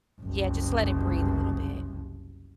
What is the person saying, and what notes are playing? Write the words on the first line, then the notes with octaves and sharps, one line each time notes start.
Yeah, just let it breathe a little bit.
F#1 C2